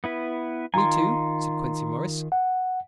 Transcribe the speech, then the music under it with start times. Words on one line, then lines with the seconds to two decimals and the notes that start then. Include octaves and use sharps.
"Me too?" said Quincey Morris.
0.04 B3 E4 B4
0.74 D#3 F4 G#5 A#5 C6
2.32 F#5